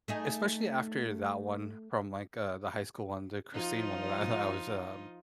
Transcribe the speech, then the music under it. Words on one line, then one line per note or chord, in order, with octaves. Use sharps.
especially after that one from like, uh, the high school one, the Christine one that I I was, um,
A3 D#4 G#4
F3 D#4 F4